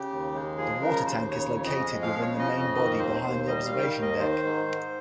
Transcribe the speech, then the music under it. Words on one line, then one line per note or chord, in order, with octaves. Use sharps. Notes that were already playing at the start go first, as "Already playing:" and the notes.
The water tank is located within the main body behind the observation deck.
Already playing: C#3 G4
D#2
G#3
F3 G#4
C#3 A#4
D#2 C5
C#3 C#5
F2
D#5
G#3
F3 F5
C#5
C#3
D#5
F2
D#5
D#3 D#5
D#2 C5
D#2 C5
G3 D#5
F5
D#3
G5
F5
D#2
D#5
D#3 C5
G#2
G#2